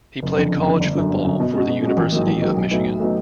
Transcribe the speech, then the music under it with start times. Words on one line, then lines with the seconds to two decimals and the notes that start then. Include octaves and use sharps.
He played college football for the University of Michigan.
0.23 F#1
0.37 F2 D3
0.52 F#1
0.66 F2 D3
0.80 G1
0.95 F#2 D3
1.10 G1
1.25 F#2 D3
1.40 B2
1.53 G#3 C#4 F#4
1.68 B2
1.83 G#3 C#4 F#4
1.97 A1
2.12 G#2 D#3 F#3 A#3
2.27 A1
2.42 G#2 D#3 F#3 A#3
2.56 B1
2.71 A2 F#3 B3 D#4
2.85 B1
3.00 A2 F#3 B3 D#4